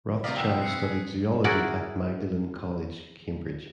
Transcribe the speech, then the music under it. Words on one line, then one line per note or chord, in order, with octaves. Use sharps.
Rothschild studied zoology at Magdalene College, Cambridge.
C3 F4 A#4 D5 F5 D#6 B6
F1 C4 E4 F#5
F#6 C7 C#7
G#4
E4 F#4 G#4 A#4 D5